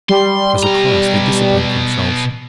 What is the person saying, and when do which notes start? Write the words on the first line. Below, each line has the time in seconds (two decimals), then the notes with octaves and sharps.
As a class, they disciplined themselves.
0.09 G3 C6
0.63 B2 A#5